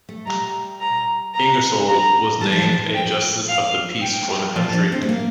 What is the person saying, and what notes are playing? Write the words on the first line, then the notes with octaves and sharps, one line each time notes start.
Ingersoll was named a justice of the peace for the county.
A3
G3 A#5
A#5
A#5
A#5
G3 A5
F3
E3
F3
G5
F5
G5
F3 A5
D4
C4
A3
A#3